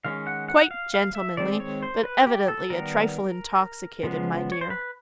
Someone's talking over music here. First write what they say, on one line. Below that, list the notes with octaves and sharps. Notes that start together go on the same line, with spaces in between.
Quite gentlemanly, but evidently a trifle intoxicated, my dear.'
D#3 G#3 C#4 F5
F#5
F#5
F5
F5
E5
D#3 G#3 C4 D5
C#5
C5
B4
G4
A4
D#3 G3 B3 A#4
C#3 F3 G#3 B3
C#5
C5
B4